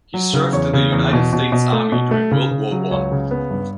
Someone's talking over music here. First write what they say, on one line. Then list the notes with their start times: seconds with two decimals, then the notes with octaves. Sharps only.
He served in the United States Army during World War One.
0.14 F#3
0.33 C#3
0.52 E2 C#5
0.73 C#3
0.92 E2
1.13 B2
1.33 B2
1.52 B2
1.73 A3
1.92 B2
2.11 A3
2.31 C#3
2.51 C#3
2.71 F#3
2.91 C#2 C#5
3.12 C#3
3.31 B3
3.51 G2